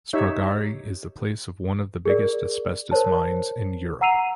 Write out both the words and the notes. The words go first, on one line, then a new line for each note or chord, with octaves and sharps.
Stragari is the place of one of the biggest asbestos mines in Europe.
D#4 G4 C#5 E5
G#4 A#4 D5
A#4 C5 C#5 A5
F#5 A#5 E6 C7 D#7 F7